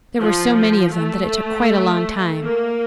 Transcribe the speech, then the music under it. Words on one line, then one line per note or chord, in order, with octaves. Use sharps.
There were so many of them that it took quite a long time.
F3
A3
A#3